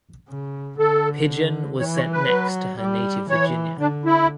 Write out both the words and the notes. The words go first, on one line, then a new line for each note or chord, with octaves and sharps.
Pidgeon was sent next to her native Virginia.
C#3
D3 A4
E3 C#5
C#5
B4
F#3
G3
E3 C#5
D3 D4
E4